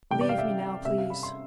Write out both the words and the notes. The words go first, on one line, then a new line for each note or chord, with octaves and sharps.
Leave me now, please.
C3 E3 G3 G5
D5
F5
E5
C3 G3 C4 E5
F5
B5
C6